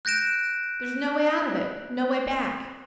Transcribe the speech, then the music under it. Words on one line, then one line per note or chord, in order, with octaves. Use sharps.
There's no way out of it, no way back.
F#6 G6 A#6 D7 E7